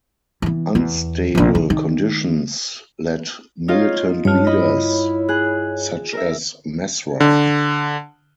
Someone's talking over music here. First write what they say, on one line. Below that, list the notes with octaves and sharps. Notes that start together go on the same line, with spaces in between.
Unstable conditions led militant leaders such as Messra.
E3 B3
E2
A#1 D3
D#3
D#3
D#4 F4 C#5 F5
G2 D4 C#5 F6
E4 D#5 B5
G#4 F#6
A#4 E5
D3